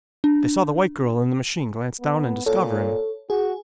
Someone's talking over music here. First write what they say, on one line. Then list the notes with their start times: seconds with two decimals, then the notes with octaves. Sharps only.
They saw the white girl in the machine glance down and discover him.
0.24 D4
2.00 B3
2.46 A#2 A4 C#5
3.30 F#4 G#4